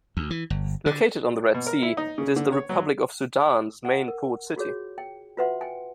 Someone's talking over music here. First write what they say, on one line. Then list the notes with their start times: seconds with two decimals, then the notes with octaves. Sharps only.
Located on the Red Sea, it is the Republic of Sudan's main port city.
0.17 D2
0.30 E3
0.50 G1
0.86 D3
1.54 B2
1.67 A#4
1.82 E4
1.97 D#4
2.18 C#3
2.36 D3
2.52 C#5
2.69 F#3
3.85 F#5
4.08 A#4
4.56 F4 F#4 G#4 C#5
4.98 G5
5.37 F4 F#4 B4 E5 F#5 C6
5.61 G5 G#5